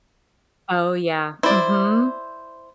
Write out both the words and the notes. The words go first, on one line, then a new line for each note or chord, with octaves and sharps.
Oh, yeah, mhm.
E4 C5 D5